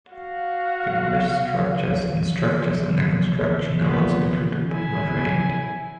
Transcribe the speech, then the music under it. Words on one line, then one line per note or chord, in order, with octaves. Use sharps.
Demolished structures and structures under construction are also included but not ranked.
F#4 F5
A#2 C#3 E3 G#3 B3
E4 G#5